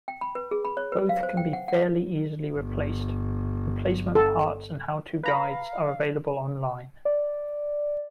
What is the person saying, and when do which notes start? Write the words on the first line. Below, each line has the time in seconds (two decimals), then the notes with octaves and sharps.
Both can be fairly easily replaced; replacement parts and how-to guides are available online.
0.08 G5
0.21 B5
0.35 B4
0.51 G#4
0.65 B5
0.77 C#5
0.92 B4
1.09 F5
1.23 C5
1.37 G5
1.53 F#5
1.68 F#5
2.56 G1
4.15 A4
5.23 B4 F5 A#5 B5
7.05 D5